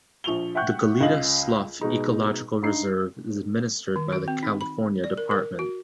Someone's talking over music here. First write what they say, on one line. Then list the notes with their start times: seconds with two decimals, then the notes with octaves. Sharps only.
The Goleta Slough Ecological Reserve is administered by the Calif. Dept.
0.24 A#1 F3 C#6 F7 G7
0.55 E5 F#5 G5 C#6 F#6 G6
1.01 C#2 D#5 F5 F#7
1.81 B2 G#3 D#4
2.63 G2 D#4 C7
3.96 D#3
4.12 F#4
4.28 C4
4.43 D#4
4.61 B5
5.04 D5
5.17 A#4
5.31 A#4
5.59 F#4